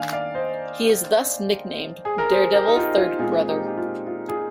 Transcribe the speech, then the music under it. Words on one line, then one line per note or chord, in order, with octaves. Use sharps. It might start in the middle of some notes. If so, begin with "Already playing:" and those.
He is thus nicknamed "Daredevil Third Brother".
Already playing: D#3 A#3 D4 F5 G#5
D5 F5
C5 D#5
G#4
A#4
G#4 C5
G4 A#4
D#4
F4
F4
A#2 G#3 C4 F4 G#4
D#4 G4
G4
F4
F4
F4 G#4